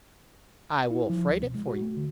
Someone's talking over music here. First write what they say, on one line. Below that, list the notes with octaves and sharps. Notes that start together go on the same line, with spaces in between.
"I will freight it for you."
E4
F3
D2
B2
G#3
F#4
A3
D3